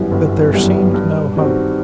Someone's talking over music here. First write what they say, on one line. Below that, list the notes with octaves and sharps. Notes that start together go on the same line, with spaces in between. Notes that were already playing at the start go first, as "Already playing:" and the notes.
But there seemed no hope.
Already playing: G1 F#2 E3 G3 B3
G1
F#2 E3 G3 B3
G2
D#3 G3 C4 F#4